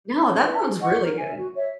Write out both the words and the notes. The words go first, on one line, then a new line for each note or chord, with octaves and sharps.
No, that sounds really good.
C#4
E4 B4 E5
G#4
D#5 F#5 C#6
A#4
E5 G#5
F#4
C#5 E5